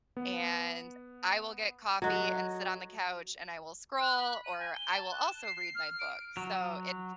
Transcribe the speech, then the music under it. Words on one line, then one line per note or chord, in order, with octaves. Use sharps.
and I will get coffee and sit on the couch and I will scroll, or I will also read my books. So, it
B3
F#3 F#4 A4 D#5 G#6
F#6
B5
D#7
G#5
G7
A5
F#6
E7
C7
C7
F6
D7
F#3